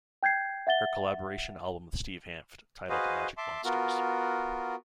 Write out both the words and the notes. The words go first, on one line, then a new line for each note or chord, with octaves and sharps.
Her collaboration album with Steve Hanft, titled Magic Monsters.
G5 G6 G#6 C7
E5 F#5 A6 G7
F#4 G#4 B4 C5 D#5 F5
E5 A5 C6 D6
B3 F4 F#4 A#4